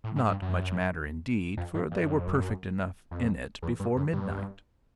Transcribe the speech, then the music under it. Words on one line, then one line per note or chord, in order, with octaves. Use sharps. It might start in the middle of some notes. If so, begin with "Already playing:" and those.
Not much matter indeed, for they were perfect enough in it before midnight.
A2
G#2
G2
F#2
F2
G2
G2
F#2
F2
F#2
F2
E2
G2
F#2
G2